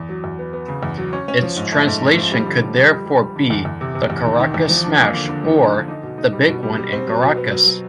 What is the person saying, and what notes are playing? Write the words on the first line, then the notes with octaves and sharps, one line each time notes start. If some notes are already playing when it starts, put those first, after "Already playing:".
Its translation could therefore be "the Caracas smash" or "the big one in Caracas".
Already playing: E2
F#3
E2
B3
B3
C#3
E2
F#3
C#4
C#4
F3
G#2
A3
G#2
A3
F3
G3
D3
G3
G3
G3
G3
G3
D3
E2
E2
C3
C3
E2
D#3
D#3
E2
F3
D4
A#3
D3
D3
F3
D4
D3
D#4
B2
D#4
G3
B2
G3
G3
C4
F#3
B2
B3
F#3
F#3